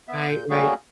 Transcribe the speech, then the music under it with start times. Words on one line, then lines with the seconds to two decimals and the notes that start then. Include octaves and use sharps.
Right, right.
0.08 B3 E5
0.30 A#2 G6
0.50 G3 A3 A#3 C#4 F#4 G#4